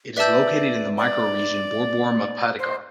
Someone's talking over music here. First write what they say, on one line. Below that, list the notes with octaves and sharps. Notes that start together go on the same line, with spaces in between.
It is located in the micro region Borborema Potiguar.
B4 D5 E5 A5 E6 G6
D5
C5